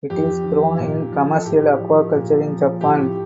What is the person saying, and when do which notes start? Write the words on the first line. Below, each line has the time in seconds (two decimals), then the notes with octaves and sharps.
It is grown in commercial aquaculture in Japan.
0.10 F2 G4
0.44 D#3
0.78 A#2
1.12 F3
1.36 A4
1.45 A2 G4
1.79 F3
2.14 A#2
2.47 F3
2.81 A2 G4
2.89 A4
2.97 G4